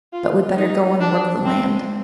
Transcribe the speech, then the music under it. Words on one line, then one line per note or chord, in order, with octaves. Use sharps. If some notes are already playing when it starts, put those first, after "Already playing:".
But we'd better go and work the land.
F4
D#4
D4
C4